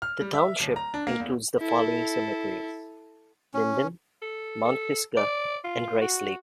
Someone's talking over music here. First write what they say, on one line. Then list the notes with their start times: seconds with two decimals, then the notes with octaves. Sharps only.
The township includes the following cemeteries: Linden, Mount Pisgah and Rice Lake.
0.02 F6
0.21 G3
0.34 E5
0.60 D1
0.76 A#5
0.94 D4
1.07 A#3
1.20 E2
1.60 E4 A4
3.54 C#4
4.22 A4
4.65 A4
5.17 D5
5.64 F4
6.01 F#4